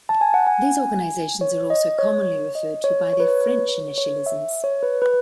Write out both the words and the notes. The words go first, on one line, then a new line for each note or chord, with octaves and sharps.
These organizations are also commonly referred to by their French initialisms.
A5
G#5
F#5
G#5
C#5
D#5
C#5
D#5
C#5
C#5
B4
C#5
B4
C#5
C#5
E5
C#5
B4
B4